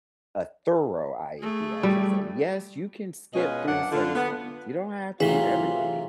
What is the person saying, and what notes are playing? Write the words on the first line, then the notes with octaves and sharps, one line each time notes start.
a thorough IEP, I should say, yes, you can skip through some things. You don't have to do everything,
A3 G#4
G3
B2 G#3 C#4 F4 B4 D#5
F#2 D4 F#5
D3 F4
B3
A2 C3 E3 F#3 F4 G#4 B6 G7